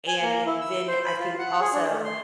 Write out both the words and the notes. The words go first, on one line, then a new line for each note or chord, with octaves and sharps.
and then, I think also
G#5
A#3
E4
E6
C5
B5
F4
F#5
G#4
D4
A3
C6